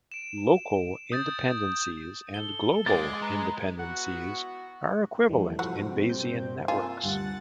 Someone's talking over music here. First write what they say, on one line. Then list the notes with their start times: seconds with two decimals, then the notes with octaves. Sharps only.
Local independences and global independences are equivalent in Bayesian networks.
0.12 D7 E7
1.12 D#6 G6 A6
2.34 A4 G7
2.86 G#3 D6 A6
3.22 B4 A#5
3.79 B3 E4 F#4 F#5
5.29 F2 E3 G3 A3
5.59 G2 C3 F3 A3 C4 F#4 F#5
6.09 G6
6.68 A#3 F4 G#5 A5 E6
7.03 D2 G2 F#5 A6